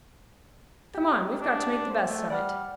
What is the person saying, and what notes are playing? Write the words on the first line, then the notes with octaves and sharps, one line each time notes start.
"Come on; we've got to make the best of it."
G4 G5
D4
C5
A3
G3 D5 F#5 F6